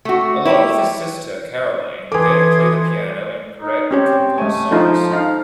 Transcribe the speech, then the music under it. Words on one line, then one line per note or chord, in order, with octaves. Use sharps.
Along with his sister, Caroline, they'd play the piano and Gregg would compose songs.
A3 F#4
E4 G4 A#4 C#5
E3 A4 B4 G#5 C6 D6 D#6 G#6
D#4
C4 C#4 G4 C#5
G#3 A3 G#5
F3 D#4 F4 A4
D#4 F5